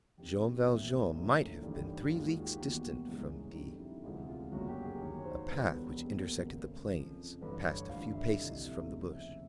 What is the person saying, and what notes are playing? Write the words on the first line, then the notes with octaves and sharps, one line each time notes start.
Jean Valjean might have been three leagues distant from D---- A path which intersected the plain passed a few paces from the bush.
F2 C3 D#3 G4
B1 A2 E3 G3 A#3
F#1 F#2 D3 F3 A3
A1 G2 D#3 G3
D#2 D#3 G#3 F4
F#4
G4
E2 B2 G3 A#3 F#4
G1 F#2 C#3 E3 G#3
F2 D3 G3 D#4
E4
E1 D2 C3 E3 G#3 F4
F4
G1 F#2 C#3 F#3 A#3 F#4
G4
G#4
D#2 D#3 F#3 C#5
C#5
C5
E1 E2 B2 G3 B4
A4
E2 B2 G3 A#3 A4
A#4
G#1 F#2 C#3
F2 C#3 F3
A1 G2 D3 B4
C#5
G#1 G2 D3 F3 F5
E5
C2 C3 F3 A3 D#5
E5
F1 D#2 C#3
E5